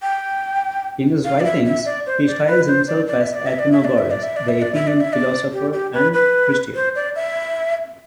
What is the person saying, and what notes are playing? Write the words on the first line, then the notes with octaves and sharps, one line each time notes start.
In his writings he styles himself as "Athenagoras, the Athenian, Philosopher, and Christian".
G5
F5
D5
E5
E5
D5
C5
D5
B4
C5
D5
D5
E5
D5
E5
D5
E5
D5
E5
D5
E5
D5
E5
D5
E5
D5
E5
D5
G4
G4
B4
B4
C5
D5
E5